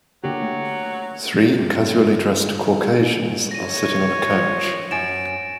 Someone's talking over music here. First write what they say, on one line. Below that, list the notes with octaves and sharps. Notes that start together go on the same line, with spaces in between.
Three casually dressed Caucasians are sitting on a couch.
D3 F#3 A#3 G4
A3
G2 D3
C#5 A#6 D#7
F3
F#2 G#5 A6 D7 E7